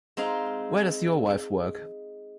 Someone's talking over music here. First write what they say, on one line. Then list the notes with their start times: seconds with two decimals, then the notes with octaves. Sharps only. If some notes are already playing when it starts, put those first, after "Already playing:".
Where does your wife work?
0.17 G#3 C4 D#4 F5